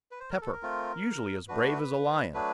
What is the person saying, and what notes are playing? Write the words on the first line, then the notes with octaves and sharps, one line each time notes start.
Pepper, usually as brave as a lion!
B4
C5
A#4
A4
A#4
A3 C4 F4
A3 D4 F#4 B4
F#3 A3 D4 B4